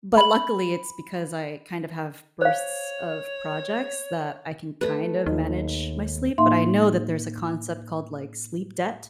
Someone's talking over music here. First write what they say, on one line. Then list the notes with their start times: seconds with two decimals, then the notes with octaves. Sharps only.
but luckily it's because I kind of have bursts of projects that I can kind of manage my sleep, but I know that there's a concept called, like, sleep debt.
0.17 B5 F#7
2.42 C5 C#5 F5
4.81 A3 B4
5.26 D#2 D#4
6.38 A2 A#3 D#4 E5 F5 C6